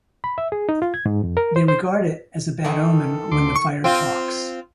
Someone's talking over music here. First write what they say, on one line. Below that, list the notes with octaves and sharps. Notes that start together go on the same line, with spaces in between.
They regard it as a bad omen when the fire talks.
B5
E5
G#4
D#4
F4
G#6
G#2
F2
A#4
C5
C5
D#3 E3 A4
D2 C6 D6
C#6
C4 F4